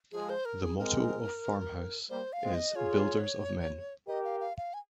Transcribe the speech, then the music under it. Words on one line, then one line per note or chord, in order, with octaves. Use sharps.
The motto of FarmHouse is "Builders of Men".
F3 G#3 G#4
C5
A#4
G#4
G#3 C4 A#4
G3 A#3 C5
F5
G#3 C4
D#5
F4 G#4 C#5
G4 A#4 D#5
F5
F5
F5
G#5